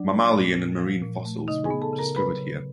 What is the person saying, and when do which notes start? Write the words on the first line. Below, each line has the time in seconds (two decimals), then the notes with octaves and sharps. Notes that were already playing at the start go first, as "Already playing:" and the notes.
Mammalian and Marine fossils were discovered here.
Already playing: F#3 D4 D5
0.11 A#2
0.34 A3
0.56 A#2
0.79 F3
1.02 A#2
1.25 A3
1.47 C#3 D#4 D#5
1.64 G#4 G#5
1.70 B3
1.82 A4 A5
1.93 C#3
1.99 A#4 A#5
2.15 F#3 B4 B5
2.39 C#3